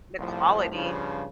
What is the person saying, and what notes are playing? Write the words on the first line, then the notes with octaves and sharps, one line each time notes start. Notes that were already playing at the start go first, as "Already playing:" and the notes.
The quality,
C2 A2 F3
G2 C#3 F3